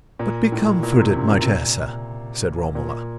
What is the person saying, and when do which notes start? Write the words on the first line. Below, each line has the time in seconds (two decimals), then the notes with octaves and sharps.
"But be comforted, my Tessa," said Romola.
0.19 A#2
0.52 A2
0.79 A2
0.83 A#2
1.00 C3
1.15 C#3
1.32 A#2
1.42 C3
1.51 A#2
2.75 A#2